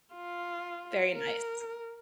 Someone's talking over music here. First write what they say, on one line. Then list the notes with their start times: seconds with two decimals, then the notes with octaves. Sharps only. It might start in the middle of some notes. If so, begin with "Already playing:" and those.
Very nice.
0.14 F4
1.14 A#4